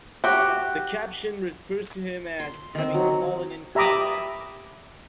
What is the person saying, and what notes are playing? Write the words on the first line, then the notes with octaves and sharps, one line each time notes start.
The caption refers to him as having "fallen in combat".
F#4 G4
C6
D#3 C4
F#3
G4 E5 A#5 B5 D6 D#6